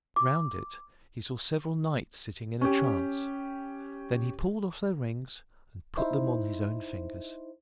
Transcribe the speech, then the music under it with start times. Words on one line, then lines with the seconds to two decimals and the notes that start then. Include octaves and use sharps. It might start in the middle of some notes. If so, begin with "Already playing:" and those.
Around it he saw several knights sitting in a trance; then he pulled off their rings and put them on his own fingers.
0.16 D6
2.61 C#4 G4
5.97 D#4 E4 C5